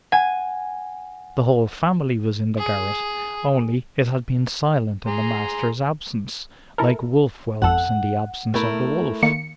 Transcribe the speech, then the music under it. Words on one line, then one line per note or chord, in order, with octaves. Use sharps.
The whole family was in the garret. Only, it had been silent in the master's absence, like wolf whelps in the absence of the wolf.
F#5 G#5
G#4
G#4 A#5 C6
E4 A4 A#4
G#1 F2 A4 F#5
A3 E4 A#4
D#3 A#3 C#7